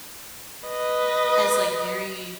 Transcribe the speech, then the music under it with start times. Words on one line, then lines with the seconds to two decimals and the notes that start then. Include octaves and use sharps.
has like, very,
0.68 B4 D#5